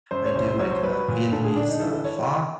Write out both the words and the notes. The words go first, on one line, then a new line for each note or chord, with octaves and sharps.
I do, like, uh, Vietnamese, uh, pho,
F#2 C5
C#5
C2 C5
C5
F#3 C#5
C5
F#3 B4
A#2
D3 A4
G#4
D3 D4
D#4
E3 A4
A4
C#5